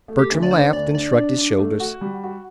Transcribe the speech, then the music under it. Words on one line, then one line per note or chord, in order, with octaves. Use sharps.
Bertram laughed and shrugged his shoulders.
A3
G4
D2
D5
D4 C5
D2 D5
D4 D5
D4
D4
A3
F#4
G3
F#4